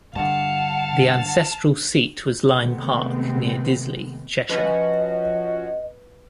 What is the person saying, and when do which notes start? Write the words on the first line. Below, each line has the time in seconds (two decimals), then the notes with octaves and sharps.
The ancestral seat was Lyme Park, near Disley, Cheshire.
0.16 G2 D3 F5 F#5 A5
2.51 C3 D#3 G#3 A3 B3 C4
4.49 F3 C#4 F#4 B4 D#5